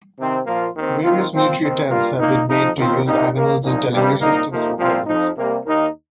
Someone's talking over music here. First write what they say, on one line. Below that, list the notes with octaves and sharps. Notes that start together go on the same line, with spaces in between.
Various military attempts have been made to use animals as delivery systems for weapons.
C3 D#3 C4
A#2 F3 A#3 F4
D#2 D#3 C4
D#2 D#3 C4 F4
A#2 F3 C4 F4
D#2 D#3 C4
G2 G3 A#3 F4
A#2 A#3 D#4
F2 F3 D#4
D#2 D#3 C4 F4
C2 A#2 G3 D#4
D#2 D#3 A#3
C2 A#2 F3 D#4
G2 D#3 G3 C4
C2 A#2 A#3 D#4
F2 C3 F3 A#3 D#4
C2 A#2 F3 C4 F4
F2 F3 D#4
C3 G3 A#3
D#2 D#3 A#3 D#4